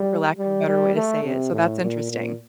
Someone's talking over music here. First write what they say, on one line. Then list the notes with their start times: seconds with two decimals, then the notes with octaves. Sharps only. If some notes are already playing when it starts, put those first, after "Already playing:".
for lack of a better way to say it, so that's interesting.
Already playing: G3
0.38 G3
0.66 G3
0.95 A3
1.24 C3
1.53 A2
1.82 A#2
2.11 A#2